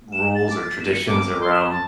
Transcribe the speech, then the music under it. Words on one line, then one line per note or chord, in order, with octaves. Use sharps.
rules or traditions around
E7
A6
D6
A6
E7
C#7
D6
D6
C6
E7
A5